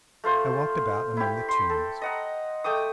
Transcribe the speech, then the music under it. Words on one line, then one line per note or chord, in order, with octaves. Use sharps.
I walked about among the tombs.
A3 F4 C5
E4 G4
C6
A4
D#5 F#5 A#5
A3 G5 D6 D#6